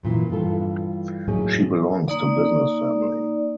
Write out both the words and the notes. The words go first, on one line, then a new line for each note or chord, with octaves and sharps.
She belongs to business family.
F#2 A#2 E3
G2 E3 F4 A4
A2 F#3 A#3 C#4 D#4 G#4
A#3 D#4 D5